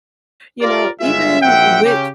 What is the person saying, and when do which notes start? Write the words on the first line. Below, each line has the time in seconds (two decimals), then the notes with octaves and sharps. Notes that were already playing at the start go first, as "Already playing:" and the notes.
you know, even wit
0.61 F4 G4 A#4 D5
1.00 G1 C#2 G#3 F4 E5
1.41 A#1 F#2 E5 F#5 G5
1.84 C#3 G4